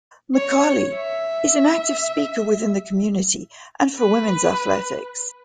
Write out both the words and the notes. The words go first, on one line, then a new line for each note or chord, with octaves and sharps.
McCallie is an active speaker within the community and for women's athletics.
C#5
E5
B4